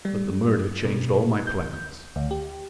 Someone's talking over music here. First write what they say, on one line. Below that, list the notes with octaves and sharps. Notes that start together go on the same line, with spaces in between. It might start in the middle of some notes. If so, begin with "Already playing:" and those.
But the murder changed all my plans.
G3
B2
G6
D2
G4